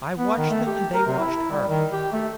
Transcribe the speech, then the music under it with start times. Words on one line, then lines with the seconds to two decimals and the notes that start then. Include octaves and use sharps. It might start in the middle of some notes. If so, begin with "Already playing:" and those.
I watched them and they watched her.
0.18 B3
0.37 D#3
0.50 A3
0.67 G4
0.94 A#4
1.07 C3
1.19 E4
1.51 G3
1.68 D#3
1.93 G4
2.12 A3